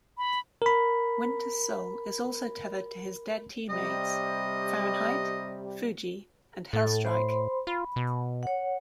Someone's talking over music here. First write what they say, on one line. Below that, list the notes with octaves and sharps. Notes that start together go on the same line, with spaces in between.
Winter's soul is also tethered to his dead teammates; Fahrenheit, Fuji, and Hellstrike.
B5
A#4 B5
C3 G3 D#5
A2 A4
C5 B5 C6
F4 B5
B2
C#5 F#5